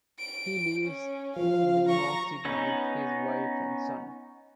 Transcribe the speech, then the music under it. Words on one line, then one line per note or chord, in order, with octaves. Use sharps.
He lives in New York City with his wife and son.
D7
C#4
F3 F5
A#5 C#6
B3 C#4 D#4